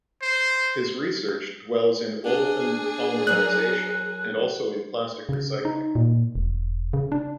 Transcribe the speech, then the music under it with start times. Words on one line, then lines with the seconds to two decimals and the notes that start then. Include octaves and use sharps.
His research dwells in olefin polymerization, and also in plastic recycling.
0.22 C5
2.25 D4 G#4
3.27 F#3 A#4 F#6
5.29 C#3
5.65 D#4
5.95 A#2
6.35 E1
6.93 C#3
7.12 D4